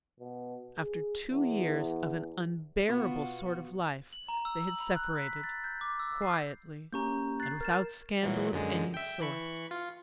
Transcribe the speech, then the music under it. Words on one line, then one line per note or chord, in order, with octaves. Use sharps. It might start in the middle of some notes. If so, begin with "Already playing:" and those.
After two years of an unbearable sort of life they had separated--quietly, and without scandal of any sort.
B2
G#4
E2
B2 B3 F4 F#4
F#7
A#5
E6
F#7
B5
F#6
B6
A6
G6
D6
E6
C7
A#3 C#4 G4 A#5 C#6 G6
F#6 A6 C7
A#4 F6 A6 E7
A#2 E3 F#3
F#2 D3 G#3
E5 G5
E3 B5 C#6
F4